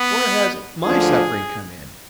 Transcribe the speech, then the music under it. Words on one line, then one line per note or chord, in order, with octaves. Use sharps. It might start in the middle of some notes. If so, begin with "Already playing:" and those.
Where has my suffering come in?
Already playing: B3
D2 D3 F3 G#4